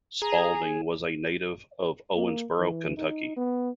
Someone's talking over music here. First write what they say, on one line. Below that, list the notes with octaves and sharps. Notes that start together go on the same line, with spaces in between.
Spalding was a native of Owensboro, Kentucky.
G#4 A#5
A#3
E3
D#4
B3